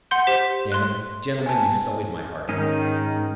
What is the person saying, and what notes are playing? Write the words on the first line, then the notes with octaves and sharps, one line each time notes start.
Damn it!... Gentlemen, you've sullied my heart!
F#5 C6 G6
G4 C5 B6
C6 F#6
G#5 A5
G#2 D#3 C#4 D#4 G#4